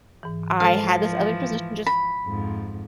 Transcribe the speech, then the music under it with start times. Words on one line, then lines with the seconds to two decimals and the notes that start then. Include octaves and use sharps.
I had this other position just
0.23 G#2 E3
0.60 E3 F3 G#3 A4 C5 F5 A5
1.87 B5
2.25 F2 G#2